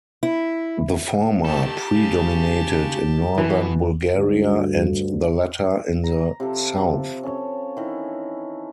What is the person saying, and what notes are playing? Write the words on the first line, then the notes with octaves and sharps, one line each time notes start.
The former predominated in northern Bulgaria and the latter in the south.
E4
D#3 G4 A4 A5
C#3
B2 E3
D2 G2
A#5
C3 F3 A4
C#4 A4 C#5
D#3 E3